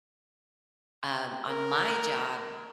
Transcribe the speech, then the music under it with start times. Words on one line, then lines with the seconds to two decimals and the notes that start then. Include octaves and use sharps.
Um, on my job
1.49 A#4